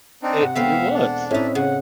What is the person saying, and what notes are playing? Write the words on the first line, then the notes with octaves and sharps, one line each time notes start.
it it was.
C4 D4 D#4 G5
C3 F#5
E1 B2 A3 B3 C4 B4 E5 F5
D4
A2 C4 C#4 D#4 E4 E5
C#3 F#5